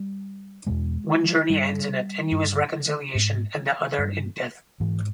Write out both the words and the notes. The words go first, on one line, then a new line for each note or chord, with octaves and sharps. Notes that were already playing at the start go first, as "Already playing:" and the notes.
One journey ends in a tenuous reconciliation, and the other in death.
Already playing: G3
E2 B2 G#3
G2 G3
G2
G#2
G2
G#2 E3